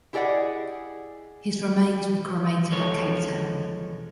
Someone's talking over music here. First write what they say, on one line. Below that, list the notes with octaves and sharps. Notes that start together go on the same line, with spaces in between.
His remains were cremated at Cape Town.
E4 G4 G#4 D5 D#5 F#5
B1 E2 F3 G#3 A4 C#5